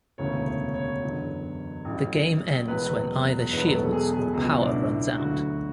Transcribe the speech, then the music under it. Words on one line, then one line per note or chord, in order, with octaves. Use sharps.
The game ends when either shields or power runs out.
E1 D2 C#3 E3 C#5
C#5
C#5
F#1 E2 D3 F#3
A1 A2 F#3
E1 E2 B2 F#3 B4
E1 E2 B2 F#3 B4
A4
G#4
G#4
C#2 B2 F#3 F#4
E4
D4
E4
D2 D3 F#3 F#4